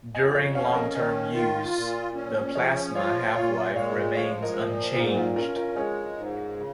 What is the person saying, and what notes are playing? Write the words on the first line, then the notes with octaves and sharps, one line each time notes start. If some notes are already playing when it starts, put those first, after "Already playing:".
During long-term use, the plasma half-life remains unchanged.
F2 D#5 G#5
C#5 F5
C#4 C#5 F5
A#4 D#5
D#3 A#4 D#5
F4
A#2
C#4
F3 G#4 C#5
F4 C#5 F5
A#2 C#5 F5
G#3 C#5 F5
F3 C#5 F5
C#5
A#4 D#5
A#2
G#2 F4 A#4
F4 A#4
C#4 F4 A#4
F4 A#4
G#3 G#4 C#5
G#2
C#3